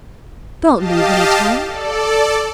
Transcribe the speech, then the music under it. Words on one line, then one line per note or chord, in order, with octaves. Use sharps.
Don't lose any time.
G4 D#5 F5 A5
A4 D5